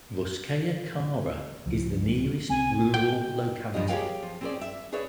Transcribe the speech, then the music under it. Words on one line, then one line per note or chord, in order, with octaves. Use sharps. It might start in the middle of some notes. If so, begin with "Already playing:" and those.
Russkaya Kara is the nearest rural locality.
C#2 F3
C2 C4 C#4 G#5
G5
G2 F3 D4 G4 D#5
G4 G#4 B4 C#5 F5 G5
F3
C4 C#4 G#4 A4 C5 D5
E5
G#4 B4 C#5 D5 E5